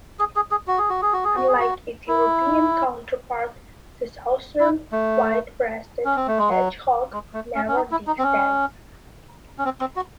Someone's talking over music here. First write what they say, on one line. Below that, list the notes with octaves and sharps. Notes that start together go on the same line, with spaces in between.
Unlike its European counterpart, the Southern white-breasted hedgehog never digs dens.
G#4
G#4
G#4
F#4
G#4
F#4
G#4
F#4
G#4
F#4
G#4
F#4
E4
E4
A3
C#4
C4
A3
G#3
F#3
G#3
A3
C#4
C#4
D#4
E4
D#4
C4
C#4
C#4
C4
C4
F#4